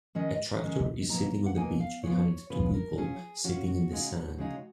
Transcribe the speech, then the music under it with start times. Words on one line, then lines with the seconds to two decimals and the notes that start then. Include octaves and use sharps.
A tractor is sitting on the beach behind two people sitting in the sand.
0.15 D#3 G#3 C#4 D#5
0.62 D#3 G#3 C#4
1.09 B2 F#3 A#3 D#4 A#5
1.46 F#5
1.56 B2 F#3 A#3 D#4 G#5
1.80 F5
2.03 C#3 F3 G#3 B3 F4 C#5
2.50 C#3 F3 G#3 B3 F4 B4
2.74 A#4
2.97 F#3 C#4 F4 G#4
3.44 F#3 C#4 F4 F#4
3.68 F#4
3.91 C#3 G#3 D#4
4.38 C#3 G#3 D#4